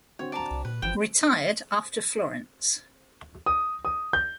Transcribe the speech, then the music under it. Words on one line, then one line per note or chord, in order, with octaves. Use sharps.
Retired after Florence.
D3 C4 F#4 C#5
D5 A5 A#5
C2
A#2 B4
G1 F3 G5 E7
D#6
D#6
G6